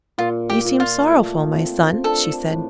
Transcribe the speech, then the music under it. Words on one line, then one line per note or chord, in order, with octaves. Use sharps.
'You seem sorrowful, my son,' she said.
A#2 F4
G4
A#2
F4
A3
C4
D4 A4
A2